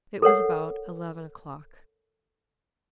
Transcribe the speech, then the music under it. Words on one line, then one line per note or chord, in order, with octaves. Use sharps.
It was about eleven o'clock.
A4 A#4 C#5 F#5